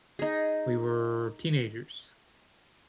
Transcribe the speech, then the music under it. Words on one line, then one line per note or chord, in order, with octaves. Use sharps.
we were teenagers,
D#4 G#4